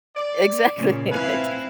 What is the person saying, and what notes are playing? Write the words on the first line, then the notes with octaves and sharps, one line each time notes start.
E exactly, ex
D5
A#2 C#3 C#4
C4 E4 B4 F5 G#5